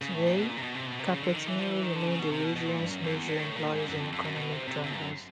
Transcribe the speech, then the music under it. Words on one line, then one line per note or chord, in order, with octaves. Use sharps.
Today, carpet mills remain the region's major employers and economic drivers.
C#3
A2
A#2
B2
A#2
C3
B2
C3
B2
C3
D3
C#3
D3
D#3
E3
F3
E3
D#3
D3
C#3
B2
C3
B2
B2
A#2
G2
F#2
F2
E2
G2
A2
A#2
G#2
F#2
F2
F2
F#2
B2
C3
C3
C3
F#2